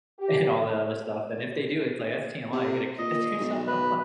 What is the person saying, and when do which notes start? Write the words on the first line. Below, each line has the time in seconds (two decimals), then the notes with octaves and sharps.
and all that other stuff and if they do, it's like, "That's TMI, you gotta keep that to yourself."
0.19 G4
2.52 C3
2.98 A#2 D#5
3.40 B1
3.67 B4